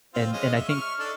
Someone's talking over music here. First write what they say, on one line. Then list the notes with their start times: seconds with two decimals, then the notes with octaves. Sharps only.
And and, I think
0.14 C4 F4
0.33 G#3 C#4 D#5
0.56 E5
0.69 C#6 F6
0.99 D4 D#4 A4